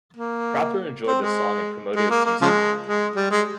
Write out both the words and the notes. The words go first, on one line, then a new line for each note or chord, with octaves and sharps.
Prather enjoyed the song and promoted its usage.
A#3
C4
G#3
G#3
A#3
A#3
C#3 F3 G#3
G#3
G3
G#3